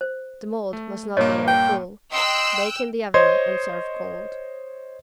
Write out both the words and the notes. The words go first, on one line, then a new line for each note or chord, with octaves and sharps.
The mold must not be all full. Bake in the oven and serve cold.
C5
A3
G2 A#2 A#3 C#5 D#5
G5
D#5 G5 C6 E6 F#6
C5 C#5 D#5 C6 G#6